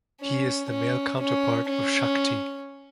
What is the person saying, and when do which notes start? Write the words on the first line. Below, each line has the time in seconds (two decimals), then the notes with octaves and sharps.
He is the male counterpart of Shakti.
0.21 C#4
0.70 C#4
1.21 C#4
1.70 C#4